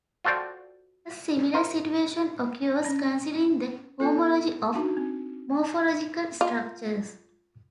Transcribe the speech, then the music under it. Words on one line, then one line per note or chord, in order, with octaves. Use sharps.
A similar situation occurs considering the homology of morphological structures.
F4 F#4 A4 C5 D5 G5
F4 A#4 C5
C#4 A5
B3 F4 A4
D4 D#4 F#4 A5
C4
F4